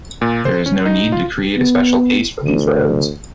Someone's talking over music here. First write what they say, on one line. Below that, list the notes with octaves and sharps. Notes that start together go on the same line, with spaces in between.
There is no need to create a special case for these roads.
A#2
C5
C#4
D#4
F4
B3
D2